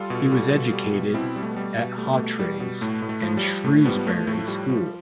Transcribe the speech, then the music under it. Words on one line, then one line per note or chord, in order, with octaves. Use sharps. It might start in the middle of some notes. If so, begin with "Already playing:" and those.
He was educated at Hawtreys and Shrewsbury School.
Already playing: G3 F4 A4
B2
G3
B2
G3
B2
B2 C4 E4
G3
A3
B3
G3 A3
B2
G3 A3
B3
A3
B2
G3
B2
A2 A3
A2
A3
F3
G3
F3
A2 A3
F3 G3 B3
F3 A3
A2 A3
A3
F3 G3
F3